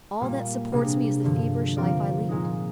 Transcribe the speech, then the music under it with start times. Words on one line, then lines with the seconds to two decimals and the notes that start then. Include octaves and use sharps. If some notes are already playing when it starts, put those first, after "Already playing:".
All that supports me is the feverish life I lead.
0.21 A#2 G3 A#3
0.72 C3 G3 A#3 D4 G#4
1.24 G2 D3 F3
1.77 F3 C4 F4 A#4 D5
2.29 A#2 G#3 D#4